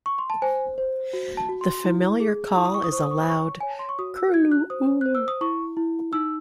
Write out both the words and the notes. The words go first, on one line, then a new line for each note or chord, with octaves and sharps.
The familiar call is a loud "curloo-oo".
C#6
C6
A5
C5 G#5
C5
F#4
A5
F#4
C6
E4
G#4
E4 C#6
D#6
C#6
D#6
C5 C#6
D#6
C#6
D#6
C#5 C#6
C#5 G#5
A5
C6
C#6
F#4 D#6
E6
F#4 G#6
F#6
C5 D#6
C5 F#6
E6
D#6
E4 C#6
E4
D#4 E6